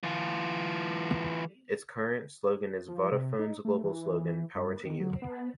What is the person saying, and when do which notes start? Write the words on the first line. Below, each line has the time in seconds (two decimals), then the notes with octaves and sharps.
Its current slogan is Vodafone's global slogan, "Power to you".
0.03 E3 F4
2.88 F3
3.12 C3
3.39 D#4
3.65 A3
3.84 E3
4.19 E3
4.55 G2
4.85 D#3
5.00 F#3
5.22 B3